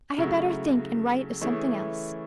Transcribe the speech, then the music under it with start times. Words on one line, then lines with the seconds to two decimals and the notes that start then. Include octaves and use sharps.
I had better think and write of something else.
0.18 C#3 F#3 A3 E4
1.41 E3 A3 C#4 E4 G#4